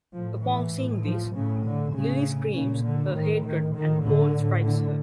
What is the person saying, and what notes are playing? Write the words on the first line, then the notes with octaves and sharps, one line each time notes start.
Upon seeing this, Lili screams her hatred and Paul strikes her.
A2 F3
E3
A2
F3
A2 C#3
D3
A2 C#3
A#2 C#3
D3
A2 D#3
D#3
A2 D#3
D3
A2
D3